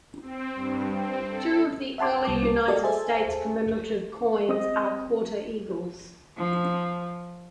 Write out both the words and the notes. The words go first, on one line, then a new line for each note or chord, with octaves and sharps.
Two of the Early United States commemorative coins are Quarter eagles.
C4
G2
C4
A4
E5 F#5 A5 C6 D6
C2 G3 A5 D6
F#4 G4 A4 A#4 D5 D#5
G#4 A4 C5 E5 G#5 A5
C4 D#5 D#6
F3